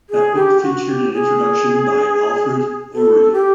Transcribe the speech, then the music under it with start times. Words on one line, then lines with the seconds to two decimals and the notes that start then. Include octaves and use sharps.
That book featured an introduction by Alfred Uhry.
0.10 G#4
0.35 G4
0.62 F#4
0.87 G4
1.13 G#4
2.94 A4
3.33 G4